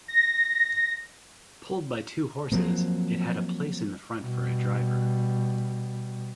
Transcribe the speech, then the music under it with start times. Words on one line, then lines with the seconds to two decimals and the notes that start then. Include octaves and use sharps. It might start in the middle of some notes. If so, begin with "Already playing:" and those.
Pulled by two horses, it had a place in the front for a driver.
0.08 A#6
2.52 F3 F#3 A#3 C4
4.19 B2 G3